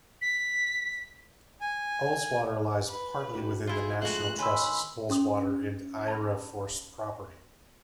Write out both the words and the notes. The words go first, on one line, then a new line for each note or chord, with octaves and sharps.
Ullswater lies partly within the National Trust's Ullswater and Aira Force property.
B6
G#5
B4
D4 F#4 G4
E4 F4 G#4
F2 G#3 A3 F#4 C5 F#6
D#3 C#4 B4 G#5 B5 C6 E6
C#4 C6 D#6
A5 B5